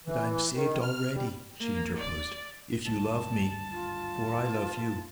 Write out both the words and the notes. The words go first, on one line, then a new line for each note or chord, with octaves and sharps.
"But I am saved already," she interposed, "if you love me--for I love you."
E3
D#3
F6
G3
A#3
D5
G#1 D2 G2 A5
F4